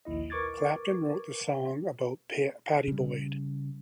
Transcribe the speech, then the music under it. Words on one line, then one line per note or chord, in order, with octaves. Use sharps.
Clapton wrote the song about Pattie Boyd.
A#1 D#2 E4 D#5
A#4 B4 C#6 D6 G#6 A6
C#3 G3